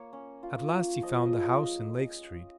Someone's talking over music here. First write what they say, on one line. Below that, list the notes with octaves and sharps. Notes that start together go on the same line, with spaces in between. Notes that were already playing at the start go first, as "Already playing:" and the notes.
At last he found the house in Lake Street.
Already playing: A#3 C#5
C#4
F4
A#3
F3 D#5
D#5
G#3
D#5